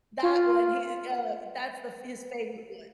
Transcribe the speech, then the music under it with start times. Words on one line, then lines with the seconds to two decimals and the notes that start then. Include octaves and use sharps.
That one, he i i uh, that's the f his favorite one.
0.23 F4